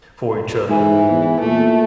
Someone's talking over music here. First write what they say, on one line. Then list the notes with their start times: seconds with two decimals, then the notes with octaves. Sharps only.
for each other
0.69 G#2 E3
1.10 E2
1.41 A#2 A3